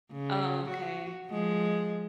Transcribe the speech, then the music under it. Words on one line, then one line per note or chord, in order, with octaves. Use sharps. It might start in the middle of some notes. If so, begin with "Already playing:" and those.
Oh, okay.
C#3
F#4
F3 G#3